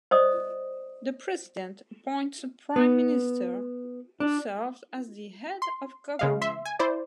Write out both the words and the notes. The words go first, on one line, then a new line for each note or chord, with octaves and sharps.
The president appoints a Prime Minister, who serves as the head of government.
C5 D5 D#5 D#6
B3
D4
C6
C#3 G#3 F5
E5 C6
G#5
E4 C5 D5